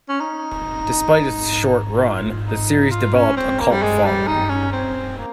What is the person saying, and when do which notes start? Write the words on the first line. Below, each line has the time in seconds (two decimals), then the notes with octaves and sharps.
Despite its short run, the series developed a cult following.
0.09 C#4
0.20 D#4
2.01 F4
2.46 D#4
2.91 F4
3.14 C#4
3.37 C4
3.60 A#3
3.71 G3
3.82 G#3
4.04 G3
4.27 D#4
4.49 C#4
4.72 C4
5.18 A#3